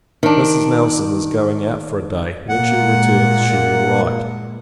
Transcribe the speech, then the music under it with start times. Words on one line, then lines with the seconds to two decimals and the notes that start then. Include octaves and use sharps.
Mrs. Nelson is going out for a day; when she returns, she will write.
0.23 D#3 D4
2.49 A#2 G#3 A#3 F#5